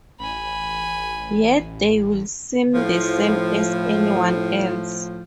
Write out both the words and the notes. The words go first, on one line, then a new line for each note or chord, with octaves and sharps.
Yet they will seem the same as anyone else.
A1 G#5 B5
A2 F3